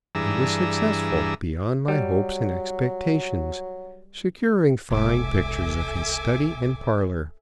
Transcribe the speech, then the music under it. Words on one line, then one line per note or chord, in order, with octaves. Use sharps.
I was successful, beyond my hopes and expectations, securing fine pictures of his study and parlor.
G2 E3 D4 G#4 A#5 E6
F#3 G3
E1 C2 G#3 A4 E5 G#5 D6